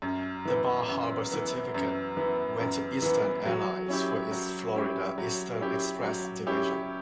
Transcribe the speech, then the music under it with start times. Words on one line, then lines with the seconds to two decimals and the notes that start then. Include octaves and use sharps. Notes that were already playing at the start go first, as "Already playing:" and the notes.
The Bar Harbor certificate went to Eastern Airlines for its Florida Eastern Express division.
0.02 F#2
0.45 E3 B3
0.88 F#2
1.31 E3 B3
1.74 F#2
2.17 E3 B3
2.60 F#2
3.02 E3 B3
3.45 F#3
3.88 C#4 E4 G4
4.31 F#3
4.75 C#4 E4 G4
5.18 F#3
5.60 C#4 E4 G4
6.03 F#3
6.47 C#4 E4 G4